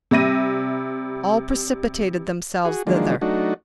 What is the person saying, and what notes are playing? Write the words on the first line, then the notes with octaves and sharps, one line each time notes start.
All precipitated themselves thither.
C3 G3 E5 A#6 D#7
F#4 G#4
D#3 F3 F#3 G#3 A#3 D4
F#3 A3 D4 D#4 F#4